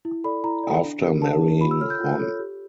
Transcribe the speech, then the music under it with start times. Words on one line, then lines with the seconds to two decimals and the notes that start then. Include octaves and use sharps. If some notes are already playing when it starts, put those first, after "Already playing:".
After marrying Hon.
0.05 E4
0.24 A4 D5 B5
0.44 E4 A#5
0.63 A4 D5
0.83 D4
1.03 G4 A#4
1.22 D4 A5
1.42 G4 A#4
1.61 F4 B5
1.71 E6
1.80 A4 C#5 F6
1.90 G6
2.00 F4
2.20 A4 C#5
2.39 G4